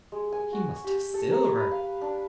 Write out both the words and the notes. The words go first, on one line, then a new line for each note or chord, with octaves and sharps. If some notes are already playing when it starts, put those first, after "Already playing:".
He must have silver.
G#3
G#5
F#4
G4
A4
A#5
B4
F5
D4